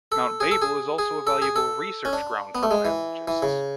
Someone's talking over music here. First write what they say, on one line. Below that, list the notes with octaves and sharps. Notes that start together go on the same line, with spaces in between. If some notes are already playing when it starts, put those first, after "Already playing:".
Mount Babel is also a valuable research ground for biologists.
A4
G#4
A4
G#4
G#4
A4
G#4
A4
C#4
D4
B3
A3
G#3
E3
E3
C#3